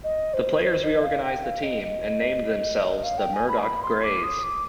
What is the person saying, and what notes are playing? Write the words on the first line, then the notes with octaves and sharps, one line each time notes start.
The players reorganized the team and named themselves the Murdock Grays.
D#5
C5
C5
D#5
F5
G5
F5
D#5
D#5
F5
G5
G#5
B5
G#5
B5
C6
D6
D#6
D6